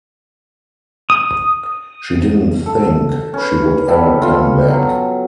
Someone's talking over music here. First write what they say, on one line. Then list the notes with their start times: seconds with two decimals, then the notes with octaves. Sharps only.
She didn't think she would ever come back.
1.10 D#6
2.66 A4
3.34 C#4 B4
3.87 B3 G4 A4 B4
4.22 F4 A4
4.70 F#3